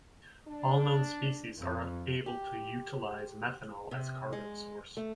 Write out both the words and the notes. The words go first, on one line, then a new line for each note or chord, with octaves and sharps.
All known species are able to utilize methanol as carbon source.
D4
F2
G4
C3
G#3
A3